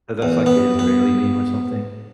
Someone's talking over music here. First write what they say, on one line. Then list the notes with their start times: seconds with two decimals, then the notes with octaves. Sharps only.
but, that's, like, the Israeli name or something?
0.22 E2
0.46 B3
0.79 B3